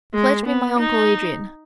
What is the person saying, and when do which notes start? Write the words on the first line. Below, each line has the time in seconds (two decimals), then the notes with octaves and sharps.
Pledge me my uncle Adrian!
0.14 G#3
0.46 B3
0.79 D#4